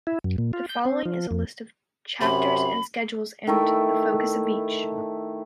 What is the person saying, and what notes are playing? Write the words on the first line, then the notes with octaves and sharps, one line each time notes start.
The following is a list of chapters and schedules and the focus of each.
E4
F#2
A#2
F4
G6
C4
F3
F2
F#2 C3 B5
D#3 A3 E4